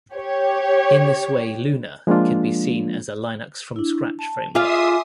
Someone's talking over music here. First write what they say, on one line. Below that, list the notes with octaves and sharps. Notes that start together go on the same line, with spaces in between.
In this way Lunar can be seen as a Linux From Scratch framework.
G4 C#5
F3 G#3 A#3 D4 F4
D4 E4
A5
F4 G#4 E5 F5 G#5 C6 D6 D#6